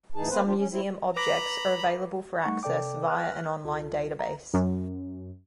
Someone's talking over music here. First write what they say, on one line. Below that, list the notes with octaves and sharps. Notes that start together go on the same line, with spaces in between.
Some museum objects are available for access via an online database.
D2 A2 E3 D#4 G#4 A5
A#3 C4 B4 C5
D#2 F3 G3 D4 F4 G4
C#4
C4 E4
B4 A#5 B5 D6 A#6
G3 A3 D#4 F#5 C#6
C3 A4 D5 G5 D6
B4 F6 F#6
C#2 F4 A4
A#5
F#2